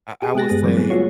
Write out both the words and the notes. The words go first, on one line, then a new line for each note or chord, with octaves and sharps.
I I will say
G4 G#4
G#3 B3 G4 F#6 A6 A#6
G2 B3 G#4
D3 E3 F#3 G3 C4
B3 G#4
G3 A3 B3 F4 F#4 C#5